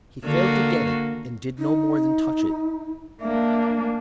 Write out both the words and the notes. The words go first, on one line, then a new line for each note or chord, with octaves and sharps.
He failed to get it, and did no more than touch it.
D3 A#3 F#4
D#4
A#3 D4 E5